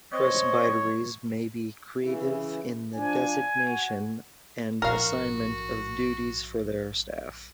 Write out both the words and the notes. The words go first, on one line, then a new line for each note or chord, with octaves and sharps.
Presbyteries may be creative in the designation and assignment of duties for their staff.
C4 C#5 D#5
C#3 E3
F3 D4 G#5
F#4
A#1 G#2 F#4 A#4 F5